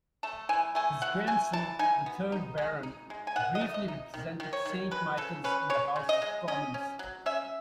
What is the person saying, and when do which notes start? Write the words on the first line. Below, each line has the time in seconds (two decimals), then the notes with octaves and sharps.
His grandson, the third Baron, briefly represented Saint Michael's in the House of Commons.
0.23 A3 A5
0.49 E3 G#5
0.75 A3 G#5
1.02 E3 F#5
1.27 A3 G#5
1.53 E3 A5
1.79 D#4 G#5
2.06 B3
2.32 D#4
2.58 G#3
2.83 D#4
3.10 G#3
3.27 G#5
3.36 D#3 F#5
3.55 D#5
3.61 A3
3.74 D#5
3.88 D#4
4.14 D#3
4.40 D#3
4.53 C#5
4.66 D#3
4.91 G#3 B4
5.17 C#3 A4
5.44 C#4 B4
5.70 C#3 C#5
5.96 C#3
6.09 D#5
6.22 G#3
6.48 C#4 D#5
6.74 C#4
6.99 F#3
7.26 C#4 E5